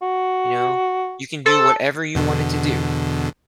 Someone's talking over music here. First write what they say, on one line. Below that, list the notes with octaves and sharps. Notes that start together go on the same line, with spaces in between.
you know? You can do whatever you wanted to do.
F#4
A4 C5
E2 B2 D3